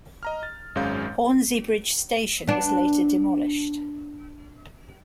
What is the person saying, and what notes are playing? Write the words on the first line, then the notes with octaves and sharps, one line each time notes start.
Hornsea Bridge Station was later demolished.
D#5 A#5 F6
A6
G#1 F#2 G#3 C#4 F5 G6
B3 D4